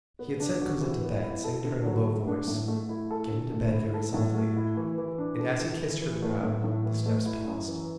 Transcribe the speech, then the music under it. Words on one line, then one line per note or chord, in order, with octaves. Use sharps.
He had sent Cosette to bed, saying to her in a low voice, "Get into bed very softly"; and as he kissed her brow, the steps paused.
B3
D4
F#4
E3
B3
E4
A4
D3
F#3
A3
D4
A2
A3
E4
A4
D3
A3
E4
A4
A2
A3
E4
E3
E3
D4
A4
E3
E3
E3
A3
A2
A2
E3
A3
E4
F#2
E3